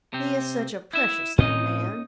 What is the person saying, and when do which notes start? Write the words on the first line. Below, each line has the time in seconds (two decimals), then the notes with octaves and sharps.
He is such a precious little man.
0.13 C3 C4
0.93 E4 E5
1.38 A2 C4 C#4 D#4 D#5